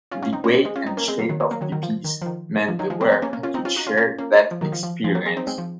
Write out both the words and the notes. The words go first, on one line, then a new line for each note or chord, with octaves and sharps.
The weight and shape of the piece meant the wearer could share that experience.
C#4 F4
C#4 F4
C4 D#4
A#3 C#4
G#3 C4
G#3 C4
C#4 F4
C4 D#4
A#3 C#4
G#3 C4
F#3 A#3
D#3 F#3
F#3 A#3
F#3 A#3
D#3 F#3
D#3 F#3
F3
D#3
F3
D#3
F3
D#3 F#3
F3 G#3
G#3 C4
G#3 C4
A#3 C#4
A#3 C#4
C#4 F4
C4 D#4
C#4 F4
D#4 F#4
C#4 F4
C#4 F4
A#3 C#4
F3
D#3 F#3
F3
F3
F3 G#3
F#3 A#3
G#3 C4
C4 D#4
G#3 C4
F3